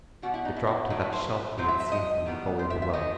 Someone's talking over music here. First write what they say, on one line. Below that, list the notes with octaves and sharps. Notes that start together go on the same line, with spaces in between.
It dropped to that shelf we had seen from the gully below.
B2 G3 B3 F#4
E4
D#4
E4
F#4
A2 F#3 A3 D#4
B4
C5
B4
A2 F#3 C4 C5
E5
E5
D#5
C3 D#3 G3 B3
C5
E5
E5
C3 D#3 A3 D#5